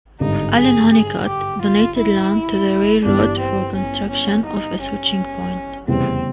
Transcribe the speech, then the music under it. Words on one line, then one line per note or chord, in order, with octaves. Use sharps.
Allen Honeycutt donated land to the railroad for construction of a switching point.
G#1 G2 D3 D#4
G#4
G#4
G4
F4
E4
G1 G2 E3 G3 D4
C4
C#4
C#4
D#4
C#4
F1 E2 C#3 E3 G3 C4